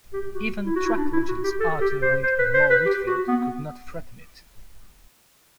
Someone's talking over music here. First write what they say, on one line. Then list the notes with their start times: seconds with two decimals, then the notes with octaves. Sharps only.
Even track legends Arthur Wint and Mal Whitfield could not threaten it.
0.13 G4
0.34 F#4
0.65 E4
0.76 F#4
0.85 E4
0.97 D4
1.13 E4
1.28 F#4
1.44 G4
1.60 A4
1.81 G4
2.02 C5
2.23 C5
2.38 B4
2.54 C5
2.70 B4
2.86 G4
3.07 F#4
3.28 B3